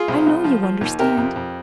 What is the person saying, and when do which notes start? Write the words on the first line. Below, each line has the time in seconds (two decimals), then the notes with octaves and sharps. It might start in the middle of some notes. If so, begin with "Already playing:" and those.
I know you understand.
Already playing: F4 G#4
0.08 C2
0.26 C2
0.44 F3
0.63 F3
0.81 D#2
0.99 C3 G4 A#4
1.17 F2
1.36 F2